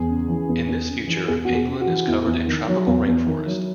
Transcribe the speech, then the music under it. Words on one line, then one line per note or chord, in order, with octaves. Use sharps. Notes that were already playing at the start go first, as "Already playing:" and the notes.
In this future, England is covered in tropical rainforest.
Already playing: E2 G#4
C#3
E3
E2
E2
C#3
E3
E2 G#4
E2 F#4
G#4
C#3
F#4
E3
E2 E4
E2
D#3
F#3
E2
E2
D#3
F#3